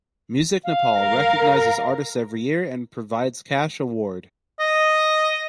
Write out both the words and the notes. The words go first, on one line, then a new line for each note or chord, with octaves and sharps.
Music Nepal recognizes artists every year and provides cash award.
F5
A#4
D#5